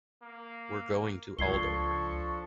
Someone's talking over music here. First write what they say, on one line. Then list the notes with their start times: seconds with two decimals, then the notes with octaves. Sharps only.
We’re going to Aldover.
0.23 A#3
1.39 C#2 F3 D4 A4 C#6 G#6 C7 G7